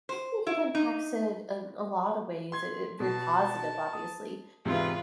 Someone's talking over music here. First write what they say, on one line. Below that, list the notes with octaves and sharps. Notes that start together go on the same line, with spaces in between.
I think it impacts it in a lot of ways. It i very positive, obviously.
C5
E4
D#4
C6 G#6
B2 A5
D#6
E2 G#2 C3 F4 B4